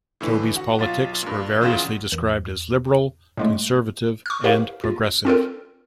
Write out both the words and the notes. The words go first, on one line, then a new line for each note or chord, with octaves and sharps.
Tobey's politics were variously described as liberal, conservative, and progressive.
A2 D3 E3
F#4 F#5
B1 F4 A6
G2 A#2
A#1 E2 C#3 F4 F#5 E7
E2
A2 G#3 A3
C#6 F6
E4 G4 A#4 C5 F5
D#2 F4
C4 F4 A4 A#4